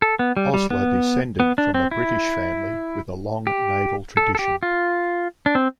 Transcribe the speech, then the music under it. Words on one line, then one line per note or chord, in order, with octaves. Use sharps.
Osler descended from a British family with a long naval tradition.
A4
B3
G3
G3
B3
B3
D4
C4
E4
G4
A4
A4
G4
F4
D4
C4